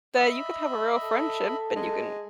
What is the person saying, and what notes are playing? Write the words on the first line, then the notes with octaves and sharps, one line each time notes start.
that you could have a real friendship and you can
D#5 E5 B5
A4
G#3